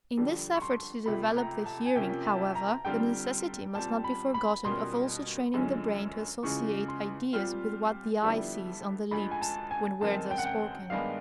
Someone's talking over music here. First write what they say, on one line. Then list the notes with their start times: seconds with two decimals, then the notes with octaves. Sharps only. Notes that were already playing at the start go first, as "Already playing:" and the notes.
In this effort to develop the hearing, however, the necessity must not be forgotten of also training the brain to associate ideas with what the eye sees on the lips when words are spoken.
0.17 F2 D3 G3
0.55 C#6
0.62 C6
1.06 C#2 C3 F3 A3 B5
1.37 A#5
1.66 A5
1.86 G#5
1.95 C3 F3 A#3 C#4 G5
2.26 A5
2.55 A#5
2.85 D3 G3 C4 F4 G5
3.75 A#2 G3 C4 A5
4.04 B5
4.34 B5
4.64 B2 G3 A#3 C#4 F4 C6
5.54 F#2 D3 F3 G#3 C#4
6.43 E2 C#3 F3 G#3 C#6
6.88 C6
7.33 A#2 G3 C4 F4
8.22 F2 D3 G3 B3 E4
9.11 D2 D3 F3 G#3 B5
9.31 G#5
9.42 A5
9.71 G#5
10.01 F#2 D#3 G#3 C4 A5
10.31 G5
10.38 F#5
10.45 G5
10.90 G2 D#3 G#3 B3 D4 F5